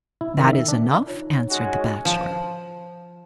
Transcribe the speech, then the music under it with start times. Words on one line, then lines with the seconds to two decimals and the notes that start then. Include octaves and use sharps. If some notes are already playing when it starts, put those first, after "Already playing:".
"That is enough," answered the Bachelor.
0.21 E4
0.38 D#3
0.53 E5
0.68 D4
1.07 D#4 F4 C#5
1.50 G#3 C#4 F#4
2.05 F3